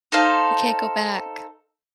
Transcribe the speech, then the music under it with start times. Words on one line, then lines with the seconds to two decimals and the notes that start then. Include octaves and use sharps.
You can't go back.
0.12 D#4 A4 C5 F5